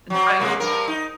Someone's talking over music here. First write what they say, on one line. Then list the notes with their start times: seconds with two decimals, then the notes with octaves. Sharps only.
And try an
0.10 F#3 C4
0.39 C3 G#3 A#3
0.60 G2 C4 A#4
0.88 D#4